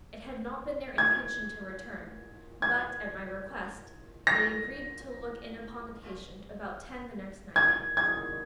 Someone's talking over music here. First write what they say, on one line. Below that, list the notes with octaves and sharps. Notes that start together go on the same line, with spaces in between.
It had not been their intention to return; but, at my request, they agreed to look in upon the patient about ten the next night.
G#6
G#6
A#6
G#6
G#6